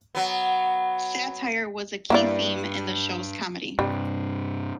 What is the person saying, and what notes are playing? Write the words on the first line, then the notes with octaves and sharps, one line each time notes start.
Satire was a key theme in the show's comedy.
F#3 B3
G2 A#3 E4 D5
G2 C3 G3